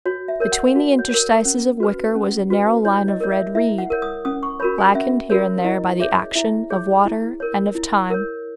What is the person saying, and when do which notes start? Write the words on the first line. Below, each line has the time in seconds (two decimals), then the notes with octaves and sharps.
Between the interstices of wicker was a narrow line of red reed, blackened here and there by the action of water and of time.
0.06 F#4 C#5
0.28 E5
0.40 A#4 C#5
0.52 F#5
0.76 F#4
0.99 C#5
1.10 A#4 C#5
1.45 C#4
1.80 F#4 B4
2.15 C#4
2.50 F#4 B4
2.85 E4 C#5
3.08 D#5
3.20 A#4 C#5
3.32 E5
3.55 E4 E5
3.78 F#5
3.90 A#4 C#5
4.02 D#6
4.25 C#4 D#6
4.43 C#6
4.60 F#4 A#4 C#5 B5
4.78 G#5
4.95 C#4 E5
5.30 F#4 A#4 C#5
5.65 E4 D#5
6.00 G#4 C#5 E5
6.35 E4 E5
6.70 G#4 C#5
7.06 E4
7.40 A#4 C#5
7.75 E4
8.10 A#4 C#5